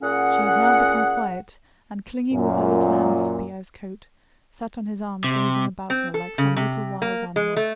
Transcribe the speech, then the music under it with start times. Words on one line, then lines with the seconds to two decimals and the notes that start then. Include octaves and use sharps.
She had now become quiet and, clinging with her little hands to Pierre's coat, sat on his arm gazing about her like some little wild animal.
0.02 A#2 C#4 G#4 F#5
2.32 F#2 A#2
5.24 C3
5.90 C4
6.14 A4
6.38 C#3
6.56 C3
7.02 A#3
7.36 G#3
7.56 A3